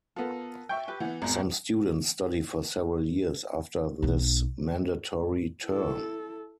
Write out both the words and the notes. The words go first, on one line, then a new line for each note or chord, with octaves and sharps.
Some students study for several years after this mandatory term.
B3 F4 A4 A#4
E5 G5 C#6 G6
G4 B4 G5
E3 B3 F#5
G#1 E2 A#5
B1 B3
E4 A4